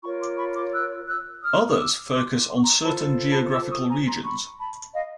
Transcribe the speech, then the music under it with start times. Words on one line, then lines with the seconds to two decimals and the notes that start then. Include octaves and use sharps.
Others focus on certain geographical regions.
0.02 F4 A#4 C#5 B5 C#6
0.20 C6 D6
0.37 B5 C#6
0.55 C6 D6
0.72 E6 F#6
1.07 E6 F#6
1.43 D#6 F6
1.69 D#6
1.78 D6 E6
2.12 C6 D6
2.48 C6
2.55 C#6
2.62 A#5 C6
2.82 F4 A4 C5 A5 B5
3.29 A5 B5
3.53 D6 E6
3.70 C#6 D#6
3.88 G#5 A#5
4.06 A#5 C6
4.24 B5 C#6
4.58 A5 B5
4.93 D#5 F5